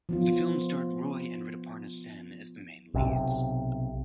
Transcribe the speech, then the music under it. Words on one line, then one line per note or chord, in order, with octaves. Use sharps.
The film starred Roy and Rituparna Sen as the main leads.
F3 B3 F4
B1 C3